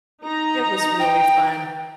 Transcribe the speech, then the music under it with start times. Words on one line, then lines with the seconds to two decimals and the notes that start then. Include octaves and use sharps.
It was really fun.
0.24 D#4 A#5
0.99 G5